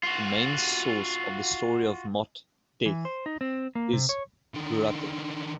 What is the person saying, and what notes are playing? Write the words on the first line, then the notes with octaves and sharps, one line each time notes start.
The main source of the story of Mot 'Death' is Ugaritic.
F4 F#4
E3
C5
D#4
C4
A#3
C3
C#5
D3 D#3